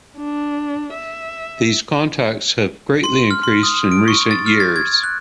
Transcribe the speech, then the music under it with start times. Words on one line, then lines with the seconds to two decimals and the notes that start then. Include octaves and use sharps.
These contacts have greatly increased in recent years.
0.17 D4
0.95 E5
3.04 C6
3.31 F6
3.43 C6
3.63 D#6
3.92 D7
4.08 C#6
4.31 A6
4.46 F6
4.60 A6
4.76 G#6
5.03 F#6